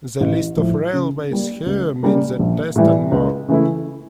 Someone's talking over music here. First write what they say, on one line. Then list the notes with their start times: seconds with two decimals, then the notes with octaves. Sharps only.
The list of railways here meet that test and more.
0.21 A1
0.57 A2 F3
0.93 C#3
1.31 G3 A#3
1.66 C#2
2.03 C#3 G3 A#3
2.39 A#1
2.76 A2 E3 G3
3.12 C#2
3.48 C#3 E3 A3 E4